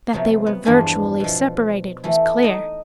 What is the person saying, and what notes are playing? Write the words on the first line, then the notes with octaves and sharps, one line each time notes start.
That they were virtually separated was clear.
C3 F3 F#3 B3
B3
E2 G2 F3 D4 G#5 B5
B2 F3
E3 A3 E4
D#4 D#5